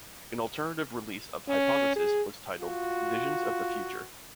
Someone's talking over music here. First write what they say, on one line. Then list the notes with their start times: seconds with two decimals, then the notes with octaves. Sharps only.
An alternative release of "Hypothesis" was titled "Visions of the Future".
1.48 C#4
1.96 G#4
2.61 F4 F#4